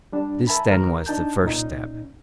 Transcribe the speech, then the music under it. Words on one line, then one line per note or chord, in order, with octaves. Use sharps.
This then was the first step.
G3 D4
A#4 E5 G#5 A5 B5
D#2 A#4
D4 D#4 A5 G6
C2 A#2 C#4 D#4